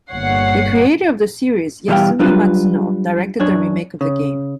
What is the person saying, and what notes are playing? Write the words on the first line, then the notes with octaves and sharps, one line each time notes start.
The creator of the series, Yasumi Matsuno, directed the remake of the game.
G1 A#2 C#5 F#5 C7
B2 E3 G3 F#4 F5 G5
F#3 G3 D4 F4 B4
F#2 D4 C#5
C#3